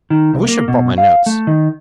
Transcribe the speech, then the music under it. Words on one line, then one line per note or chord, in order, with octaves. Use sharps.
I wish I'd brought my notes.
D#3
C2
A#3
B2
F5
A3
D#3